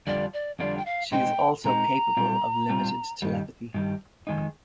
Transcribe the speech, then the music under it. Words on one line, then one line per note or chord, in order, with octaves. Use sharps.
She is also capable of limited telepathy.
F2 D3 G3 D4 F4 D5
D5
F2 D3 G3 D4 F4 D5
G5
F5
A#2 G#3 C4 D#4 G5
A#2 G#3 C4 D#4 A#5
A#2 G3 C4 F4
A#2 G3 C4 F4
G2 D#3 G3
G2 D#3 G3
F2 D#3 G#3 D#4